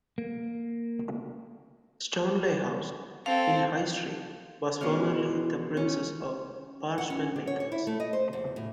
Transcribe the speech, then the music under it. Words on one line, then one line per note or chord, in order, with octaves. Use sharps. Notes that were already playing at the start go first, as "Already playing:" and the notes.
Stoneleigh House, in High Street, was formerly the premises of parchment makers.
A#3
C4 A4 F5
B2 G#3 C#4 F5
C#4
F#5
C#4
D4
C#5
C#5
E4
A3
D#5
C5
E2
A2